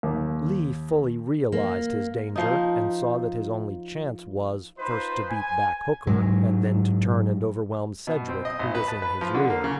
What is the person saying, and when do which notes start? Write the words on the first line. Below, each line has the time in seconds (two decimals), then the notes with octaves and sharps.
Lee fully realized his danger, and saw that his only chance was, first to beat back Hooker, and then to turn and overwhelm Sedgwick, who was in his rear.
0.03 D#2
1.52 A#3
2.36 F3 D#4
4.78 D#4 F4 B4 C5
5.30 G#5
6.07 G#2 F#3
8.07 B2
8.29 C4
8.45 D#5
8.59 G#1
8.75 B4
8.88 A5
9.02 B4
9.21 F3
9.35 D3
9.50 A#3
9.64 C#3